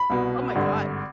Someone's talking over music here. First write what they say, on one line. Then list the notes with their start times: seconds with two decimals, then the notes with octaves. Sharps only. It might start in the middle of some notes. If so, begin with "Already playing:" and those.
Oh my god.
Already playing: B5
0.10 C2 B2
0.55 G#1 G2 D3